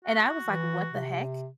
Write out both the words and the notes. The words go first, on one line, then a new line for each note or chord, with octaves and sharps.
and I was like, "What the heck?"
F#4
E3
C3